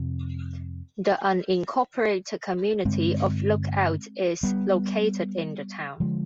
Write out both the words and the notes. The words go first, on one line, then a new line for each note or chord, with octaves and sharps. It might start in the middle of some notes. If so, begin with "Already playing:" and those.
The unincorporated community of Lookout is located in the town.
Already playing: F2 C3
G2 D3 G#3 C4
G3 B3
D3 F3 G#3